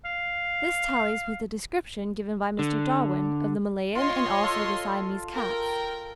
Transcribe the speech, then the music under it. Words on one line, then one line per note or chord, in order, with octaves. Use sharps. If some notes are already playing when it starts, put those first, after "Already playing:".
This tallies with the description given by Mr. Darwin of the Malayan and also the Siamese cats.
F5
D3
F4 C#5 D#5 C6
F4 A4
A#4 G5